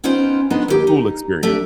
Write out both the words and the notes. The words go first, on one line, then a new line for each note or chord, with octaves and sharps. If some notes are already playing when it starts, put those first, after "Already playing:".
but cool experience.
B3 C#4 D#4 F4 C5 G5
G#3 B3 D4 D#4
D#2 G4
D#4
A3 D4 G4 E5